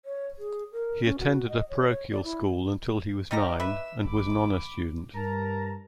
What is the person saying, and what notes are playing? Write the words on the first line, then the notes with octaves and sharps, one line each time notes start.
He attended a parochial school until he was nine and was an honor student.
C#5
G#4
A#4
C#4
F#4
D#5
C#5
C#5
D5
E4
G3 D#4 G4 D#5 A#5 D6 F6
B4 E5 E6
G#1 B5 D6
G2 A#4 A5 A#5